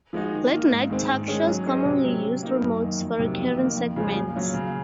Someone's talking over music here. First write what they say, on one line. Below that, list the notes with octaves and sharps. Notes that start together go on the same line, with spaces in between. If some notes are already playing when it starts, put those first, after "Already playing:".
Late night talk shows commonly used remotes for recurring segments.
F3 G#3 D#4 F#4
D#3
A#3 F4
G#2
D#3 G#3 C4
G#2
D#3 G#3 C#4 G#4
F#3
C#4 G#4 C5 D#5
C3
F#3 C#4
F#3
A#3 D#4 A#4
F#2
D#3 A#3
F2
C3 D#3 F#3 A#3
F2
D#3 A#3
F2
C#3 F3 G#3
A#2
F#3 C#4 F4
C#3